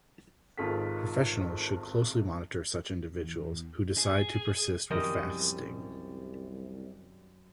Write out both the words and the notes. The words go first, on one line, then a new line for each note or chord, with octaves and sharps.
Professionals should closely monitor such individuals who decide to persist with fasting.
G#1 D#3 F4 G#4 A4 B6
E2
G#4
C2 F#2 D#3 F3 G3 A#4 D#5